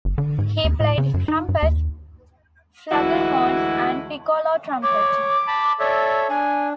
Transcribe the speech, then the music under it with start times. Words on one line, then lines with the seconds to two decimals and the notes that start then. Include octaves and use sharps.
He played trumpet, flugelhorn, and piccolo trumpet.
0.05 G1
0.18 D3
0.38 G#2
0.64 D#2
0.80 A2
0.98 C#3
1.14 F#2
1.28 D#4
1.49 G2
1.63 D#2
2.91 D2 E3 G#3 E4 F#4
4.83 C#5 D6
5.47 A5 B5
5.80 A4 C#5 D5 E5
6.30 D4 G#5